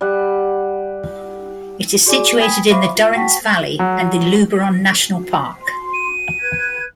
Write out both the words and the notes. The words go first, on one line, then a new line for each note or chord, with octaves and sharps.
It is situated in the Durance Valley and the Luberon National Park.
G3 F#5
F#4 G#4 D5 G#5 D6
G5 G#5 B5 D#6 G#6 B6
C5 E5 F5 B5 C#6 D6
F4
F#4 F#5 G5 A5 C#6 B6
F#3
C6
D#7
B4 F#6 G#6